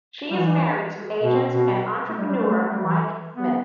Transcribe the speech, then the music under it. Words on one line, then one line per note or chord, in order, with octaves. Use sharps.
She is married to agent and entrepreneur Mike Smith.
G3
E3
B2
B2
A3
G3
G3
A3
A3
A3
G3
E3
B3